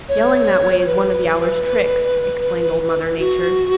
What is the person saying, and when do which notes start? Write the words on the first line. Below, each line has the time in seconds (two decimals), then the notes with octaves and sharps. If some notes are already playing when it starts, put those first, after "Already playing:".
"Yelling that way is one of Yowler's tricks," explained Old Mother Nature.
0.09 C#5
0.87 B4
3.19 F#4